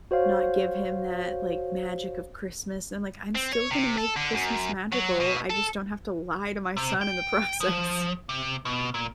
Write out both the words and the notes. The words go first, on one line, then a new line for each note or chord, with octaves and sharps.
not give him that, like, magic of Christmas," and, I'm like, "I'm still gonna make Christmas magical, I just don't have to lie to my son in the process."
F#4 C5 C#5 F5
C4
C#5
C3
A4
D3
F#2
F#3
B2
A4
C3
G5
F3
C3
B2
A#2